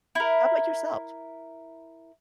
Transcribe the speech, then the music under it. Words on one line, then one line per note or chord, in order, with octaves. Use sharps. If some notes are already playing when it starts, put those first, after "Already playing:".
How about yourself?
E4 A#4